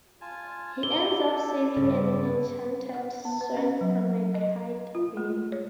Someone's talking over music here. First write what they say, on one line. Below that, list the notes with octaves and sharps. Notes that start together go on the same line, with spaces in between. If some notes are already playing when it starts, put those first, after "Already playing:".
He ends up saving an enchanted swan from a kite bird.
F4 G#5 A5
E4 A4 D5 G7
G2 C#3
F#5
B3
B4
C#4
F#3
D#5
F4
A3
C#5